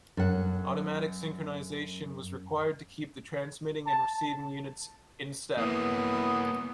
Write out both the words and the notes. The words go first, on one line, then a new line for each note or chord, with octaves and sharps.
Automatic synchronization was required to keep the transmitting and receiving units "in step".
F#2 F#5
A5
E3 A#3 B3 E4 D#6